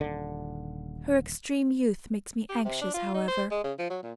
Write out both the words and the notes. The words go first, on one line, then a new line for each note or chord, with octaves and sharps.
Her extreme youth makes me anxious, however.
D#1 D3
G4
C3
D4
F4
D#4
C5
G#3
C#3
F3
F#3
A#2